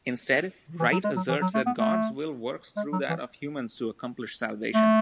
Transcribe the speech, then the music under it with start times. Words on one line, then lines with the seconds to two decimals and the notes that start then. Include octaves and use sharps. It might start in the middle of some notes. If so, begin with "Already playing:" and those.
Instead, Wright asserts that God's will works through that of humans to accomplish salvation.
0.79 E3
0.92 F#3
1.04 G#3
1.16 F#3
1.29 E3
1.42 F#3
1.54 A3
1.66 B3
1.78 A3
2.76 G#3
2.92 F#3
3.09 E3
4.74 A3